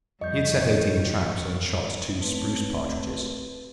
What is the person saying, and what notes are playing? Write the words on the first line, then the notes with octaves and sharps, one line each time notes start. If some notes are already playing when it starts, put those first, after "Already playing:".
He had set eighteen traps and had shot two spruce partridges.
F2 G3 D#5 C#6 G6
A3 C4 B4 C#5 A5